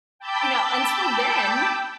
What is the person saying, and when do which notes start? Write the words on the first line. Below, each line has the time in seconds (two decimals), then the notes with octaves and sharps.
you know, until then,
0.19 G5 A5 B5 D6 E6 G6